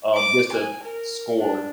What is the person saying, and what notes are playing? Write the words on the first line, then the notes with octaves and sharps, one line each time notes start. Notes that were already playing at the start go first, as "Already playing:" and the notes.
um, just to score.
D6
G#5
A#4
D4